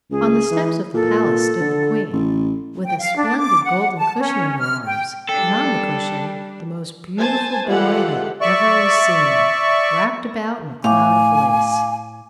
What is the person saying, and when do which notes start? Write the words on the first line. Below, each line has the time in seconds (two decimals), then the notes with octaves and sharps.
On the steps of the palace stood the queen, with a splendid golden cushion in her arms, and on the cushion the most beautiful boy that ever was seen, wrapped about in a cloud of lace.
0.11 C#2 G#4
0.51 E3
0.94 A#2 A4
1.60 D3
2.13 A1
2.85 G5
2.99 F5
3.17 D4
3.38 D6
3.63 F#5
3.96 A5
4.20 C#4
4.58 F6
4.85 G5
5.29 G3 D4 A4 G5
7.17 C5 G#5 A5
7.65 E3 G#3 F4 G4 A4 F#5
8.41 D5 E5 C#6
10.84 A2 F5 G#5 D6